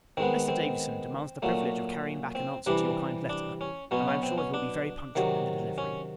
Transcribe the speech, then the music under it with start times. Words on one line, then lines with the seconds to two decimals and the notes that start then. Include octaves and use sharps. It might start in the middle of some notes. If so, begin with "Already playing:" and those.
Mr. Davison demands the privilege of carrying back an answer to your kind letter; and, I am sure, he will be very punctual in the delivery.
0.17 D#3 G#3 B3 C4
0.48 C4
1.42 A#2 F#3 A3
2.35 C4
2.66 C3 E3 G3 D4
3.29 D4
3.61 C#4
3.91 B2 F#3 B3 C#4
4.08 C#4
4.23 C4
4.38 C#4
4.54 D4
5.15 C3 D#3 F#3
5.78 C#4